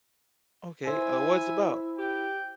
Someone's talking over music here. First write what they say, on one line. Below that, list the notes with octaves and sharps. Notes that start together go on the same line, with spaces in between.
Okay, uh, what it's about?
E4 C5 E5 G#5
G4 G5